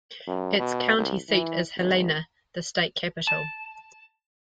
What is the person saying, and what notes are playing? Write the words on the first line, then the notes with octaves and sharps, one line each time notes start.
Its county seat is Helena, the state capital.
F#2
B2
C2
E3
G#1
A5